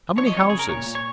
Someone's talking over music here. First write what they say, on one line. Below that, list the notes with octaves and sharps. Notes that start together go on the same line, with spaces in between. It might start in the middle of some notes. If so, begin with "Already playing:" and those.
How many houses?
F3 C#5
D#5
F2 C#5
C#3 G#4
A#4
A#2 C#5
A#2
C#5